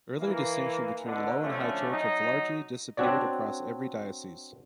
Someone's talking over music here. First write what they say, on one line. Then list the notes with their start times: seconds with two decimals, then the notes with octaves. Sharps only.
Earlier distinctions between Low and High Church have largely disappeared across every diocese.
0.19 E3 A#3
1.05 A1 B2 D3
1.42 D3 F3 A3 C#4
1.91 F#3 D#4
2.97 C4 D4 F#4 C#5 D5